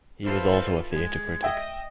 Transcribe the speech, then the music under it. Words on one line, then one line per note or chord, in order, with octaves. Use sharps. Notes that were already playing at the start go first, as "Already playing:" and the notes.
He was also a theatre critic.
E3 F4 A4 C5
G#3 G#6
D#5 E5 G5